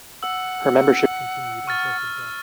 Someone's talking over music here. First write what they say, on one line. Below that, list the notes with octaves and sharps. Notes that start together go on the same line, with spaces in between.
Her membership continued until her death.
F#5 E6
C#6 F6 A6